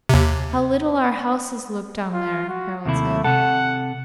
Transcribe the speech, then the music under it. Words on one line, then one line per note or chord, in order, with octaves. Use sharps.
"How little our houses look down there!" Harald said.
D#2 C3
F4
F#4
D#2 C3 A3 E4
C3 A4 F#5